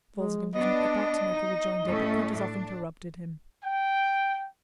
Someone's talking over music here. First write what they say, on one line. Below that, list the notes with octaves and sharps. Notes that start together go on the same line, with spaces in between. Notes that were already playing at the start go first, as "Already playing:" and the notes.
Wolzogen was about to make a rejoinder, but Kutuzov interrupted him.
G#3
B3 D4 D#5
D#4
A2 A3 C#4
D4
G5